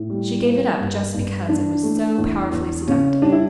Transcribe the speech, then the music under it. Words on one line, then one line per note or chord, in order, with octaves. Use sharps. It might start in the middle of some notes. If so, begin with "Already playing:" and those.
She gave it up just because it was so powerfully seductive.
Already playing: A2
G3
A#3
G2
G2
E3 D4
A3
E2
E2
C#3 C#4
G3 D4
E4